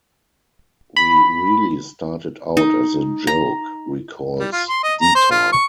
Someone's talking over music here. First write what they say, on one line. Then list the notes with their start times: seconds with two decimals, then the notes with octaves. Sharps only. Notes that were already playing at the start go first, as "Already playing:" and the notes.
"We really started out as a joke," recalls Detar.
0.96 B5
2.57 D#4
3.27 A#5
4.39 G3
4.53 F4
4.69 C6
4.83 D#5
5.00 A#5
5.15 C5
5.31 F4
5.52 C#6